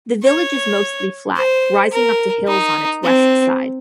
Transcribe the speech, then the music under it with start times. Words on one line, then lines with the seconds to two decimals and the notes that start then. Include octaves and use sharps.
The village is mostly flat, rising up to hills on its west side.
0.23 C#5
1.36 C5
1.92 A#4
2.47 D#4
3.03 C4